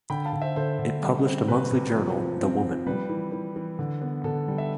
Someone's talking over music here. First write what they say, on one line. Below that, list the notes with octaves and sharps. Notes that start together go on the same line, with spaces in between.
It published a monthly journal "The Woman".
D3 G5 B5
F5 A5
D3
C5 E5
D3 A4 C5
D3
G3
C4
C3 B4
C3
F3
F3
C4
F3
G3 B4
E3
E3
E3
D3
B3
D3 A4
G3
E5